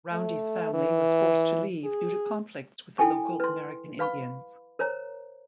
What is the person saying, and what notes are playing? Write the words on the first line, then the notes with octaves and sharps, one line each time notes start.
Roundy's family was forced to leave due to conflicts with the local American Indians.
A3
E3
G#4
E4 A4 G5 G#5 C#6
B4 C6
B4 F5 B5 C#6
A#4 C5 C#5 A#5